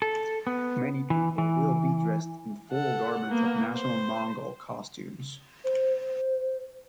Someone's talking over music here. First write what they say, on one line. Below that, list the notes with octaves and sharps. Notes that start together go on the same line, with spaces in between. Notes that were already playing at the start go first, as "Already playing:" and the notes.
Many people will be dressed in full garment of national Mongol costumes.
A4
B3
E3
E3
A4 F#5
A#3 B3
C5
C5